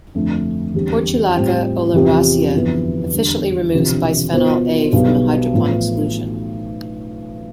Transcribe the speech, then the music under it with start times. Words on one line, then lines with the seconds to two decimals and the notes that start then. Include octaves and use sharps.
"Portulaca oleracea" efficiently removes bisphenol A from a hydroponic solution.
0.14 G1 F2 D3 A3
0.74 E2 D3 G3 C4 G4
1.34 A2 G3 C4 F4
1.94 E2 C3 F3 C4 G4
2.54 G1 F2 E3 B3
3.13 E2 D3 G3
3.73 E1 D2 C3 F3
4.33 B2 B3 F4 C5
4.93 B1 B2 G3 B3
5.53 A1 A2 F3 B3